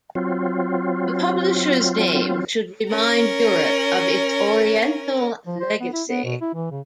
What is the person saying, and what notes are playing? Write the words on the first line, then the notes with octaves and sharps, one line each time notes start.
The publisher's name should remind Europe of its Oriental legacy.
F#3 C4 F4
C#4 A#4
F3
C5
B3
E4
B3
B2
E4
E3
C#3